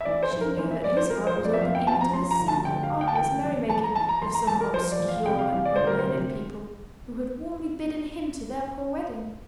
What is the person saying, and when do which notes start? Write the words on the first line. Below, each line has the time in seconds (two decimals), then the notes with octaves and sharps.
She knew that His heart was open even to the simple, artless merrymaking of some obscure and unlearned people, who had warmly bidden Him to their poor wedding.
0.01 E5
0.05 E3 D5
0.23 C5
0.32 F2
0.41 A#4
0.57 E3 C5
0.71 E5
0.83 F2 D5
0.97 C5
1.10 F3 A#4
1.27 C5
1.36 F2
1.45 D5
1.53 E5
1.61 F2 F5
1.75 G5
1.87 F3 A5
2.01 A#5
2.13 F3 C6
2.31 A#5
2.39 D2
2.48 A5
2.65 D2 G5
2.83 F5
2.92 D2
3.01 G5
3.08 A5
3.15 E3 G5
3.44 E2
3.69 E2 A5
3.83 A#5
3.95 E3 A5
4.09 A#5
4.21 E2 C6
4.34 A#5
4.47 E2 A5
4.61 A#4
4.73 F3 C5
4.92 D5
4.99 E2
5.08 F5
5.25 C3 G5
5.38 F5
5.52 E3 F5
5.65 D5
5.76 D2 C5
5.87 A#4
5.99 C5
6.04 C3